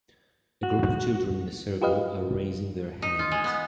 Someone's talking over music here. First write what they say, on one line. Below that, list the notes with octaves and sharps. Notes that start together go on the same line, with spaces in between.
A group of children in a circle are raising their hands.
F#4
F4 G4 B4 D#5 F5
D#4
F4
G#3
B3